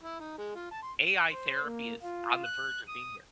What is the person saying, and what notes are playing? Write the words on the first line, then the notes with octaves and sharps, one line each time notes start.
AI therapy is on the verge of being here.
E4
D#4
G#3
F4
A5
C6
C5
A#3
F4
F#6
D#6